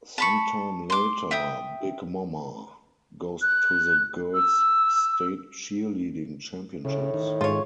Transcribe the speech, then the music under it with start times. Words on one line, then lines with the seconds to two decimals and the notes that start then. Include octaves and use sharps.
Sometime later, Big Momma goes to the girls' state cheerleading championships.
0.18 A5 B5 C#6
0.90 C6 D6
1.31 E5 G5 D#6
3.41 F#6
4.34 E6
6.85 A2 C#3
7.14 D#3
7.41 G#2 F4 G#4 C#5